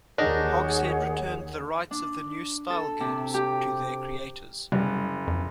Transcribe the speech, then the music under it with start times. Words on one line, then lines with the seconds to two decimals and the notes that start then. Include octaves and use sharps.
Hogshead returned the rights of the New Style games to their creators.
0.18 D#2 D4 D#4 G#4 A#4 C#5 F#5
1.91 D4
2.70 A4
3.00 C3
3.34 G4
4.72 F#1 G3
5.27 F2